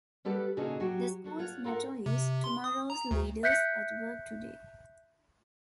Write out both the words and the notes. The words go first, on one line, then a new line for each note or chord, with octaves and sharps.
The school's motto is Tomorrow's Leaders At Work Today!
G3 G4 A4 B4 F#5
A#2 C#3 D#4 F#4 G#4 A4
F#3 F#4 G4
F#3 F#4 A4
F4 C#5 F#5
F4 A4 A#4 F5 F#5
C3
C6
D#6
A#5
D2
E5 F#6 G6 B6 C#7